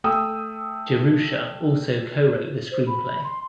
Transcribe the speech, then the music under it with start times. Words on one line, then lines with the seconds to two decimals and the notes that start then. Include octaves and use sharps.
Jerusha also co-wrote the screenplay.
0.04 A3 G5 D#6 E6
2.72 C5
2.87 B5
3.24 C6